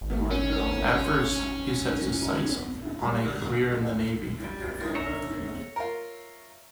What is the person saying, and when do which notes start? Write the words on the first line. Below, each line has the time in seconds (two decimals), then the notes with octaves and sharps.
At first, he set his sights on a career in the Navy.
0.01 G#1
0.31 C#4
3.06 G3
4.44 G3
4.95 C#5 E5 A#5
5.76 F4 A#4